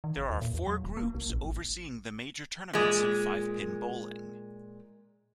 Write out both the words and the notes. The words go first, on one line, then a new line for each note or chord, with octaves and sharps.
There are four groups overseeing the major tournaments in five pin bowling.
D#3
G1
D#2
A#2
E2
F#3
D#1
A#3
C2
A#1
G#1
A#2 G#3